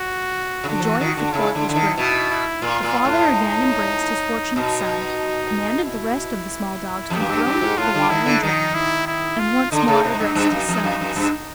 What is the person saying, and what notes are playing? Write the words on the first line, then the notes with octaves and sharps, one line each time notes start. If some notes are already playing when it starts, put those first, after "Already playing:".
The joy of the Court was great. The father again embraced his fortunate son, commanded the rest of the small dogs to be thrown into the water and drowned, and once more addressed his sons.
Already playing: F#4
C#3
D3 F#4
F3
E3
D#3
D3
C#3 E4
D3
D3
D#3
B2 E4
E4
A#2 F4
A#2
A2
D#4
B2 D#4
E4
F2 G4
F#2
G2
G2
G#2
A2 F4
D3
D#3 E4
D3
D#3 D#4
E4
E4
F4
D3 D#4
C#3
C3
G2
G2
F#2
F2
F#2
F#2
G2